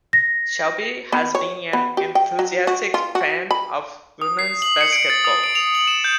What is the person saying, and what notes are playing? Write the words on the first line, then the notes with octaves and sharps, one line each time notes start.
Shelby has been an enthusiastic fan of women's basketball.
A#6
B3
C#5
B3
G4
G5
F#3
F#4
F4
F#4
B5
D#6
C7
F#7
C#7
D7
A6
D#6
D7
F7
F#7
E7
G6